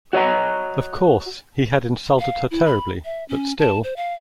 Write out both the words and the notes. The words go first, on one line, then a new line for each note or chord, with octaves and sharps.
Of course, he had insulted her terribly, but still —!
F#4 C#5 D#5 A#5
F5
E4
B5
E5
C#4
A5
C5
F5